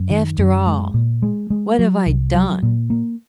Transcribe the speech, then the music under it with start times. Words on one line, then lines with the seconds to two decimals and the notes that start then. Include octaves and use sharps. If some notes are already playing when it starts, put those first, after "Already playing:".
'After all, what have I done?
Already playing: F#2
0.11 D#3
0.38 F#2
0.67 G#3
0.94 A#2
1.22 G#3
1.50 G#3
1.79 F#3
2.06 C2
2.34 F#3
2.63 A#2
2.90 A#3